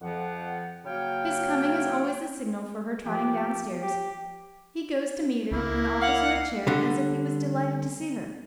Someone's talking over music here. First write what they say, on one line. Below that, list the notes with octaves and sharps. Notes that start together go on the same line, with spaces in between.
His coming is always the signal for her trotting down stairs; he goes to meet her and offers her a chair, as if he was delighted to see her.
F2 F3 F#5
C#3 F#3 A#3 C#5 F5 G5
F3 G4
G4
C#2 A#3 E4
F5 F#5
D3 G3